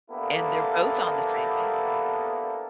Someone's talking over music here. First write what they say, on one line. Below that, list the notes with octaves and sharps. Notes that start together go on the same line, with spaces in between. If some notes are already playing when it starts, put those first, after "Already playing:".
and they're both on the same pa
A#3 B3 D4 E4 G4 A4